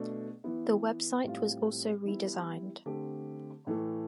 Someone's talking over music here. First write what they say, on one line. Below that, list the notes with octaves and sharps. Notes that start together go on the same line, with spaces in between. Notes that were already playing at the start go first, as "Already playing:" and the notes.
The website was also redesigned.
Already playing: B2 A3 D4
E3 B3 E4
A2 G3 C4 F4
E3 G3 B3 E4
D3 A3 C4 G4
A2 E3 A3